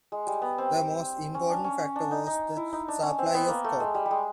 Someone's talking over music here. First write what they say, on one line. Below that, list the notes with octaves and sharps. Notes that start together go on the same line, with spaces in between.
The most important factor was the supply of cod.
G#3
G3
B3
C4
C#4
D4
C#4
C#4
D4
D#4
D#4
E4
D#4
D4
C#4
C4
B3
A#3
A3
G#3
G3
G3
G#3